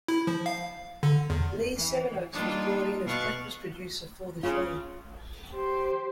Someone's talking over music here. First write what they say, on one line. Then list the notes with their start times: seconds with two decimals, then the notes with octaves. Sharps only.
Lee Sevenoaks was brought in as Breakfast Producer for the show.
0.08 E4
0.27 F3
0.46 F5
1.03 D3
1.30 E2
1.73 E3
2.32 G3 A#3 D4 D#4 F4
3.04 B2 F5 C#6 F#6 A6
4.43 C#3 F4
5.51 G4 C5